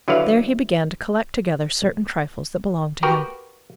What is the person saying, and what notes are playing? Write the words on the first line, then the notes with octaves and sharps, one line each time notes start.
There he began to collect together certain trifles that belonged to him.
D3 F#3 E4 B4 D5 F5
F#4 G4 A#4 B4 G5